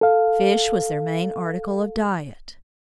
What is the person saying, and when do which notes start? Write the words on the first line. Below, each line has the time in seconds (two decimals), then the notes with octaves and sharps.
Fish was their main article of diet.
0.01 A4 F5